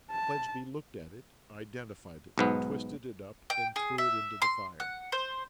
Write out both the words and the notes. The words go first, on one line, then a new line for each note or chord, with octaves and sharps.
Fledgeby looked at it, identified it, twisted it up, and threw it into the fire.
A5
B1 G#2 B3
G5
G#4
E5
C6
F#5
C5